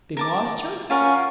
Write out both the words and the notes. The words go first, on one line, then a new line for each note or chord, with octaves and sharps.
"They lost her?"
A#4 A5 D6
C#4 F4 A#4 F#5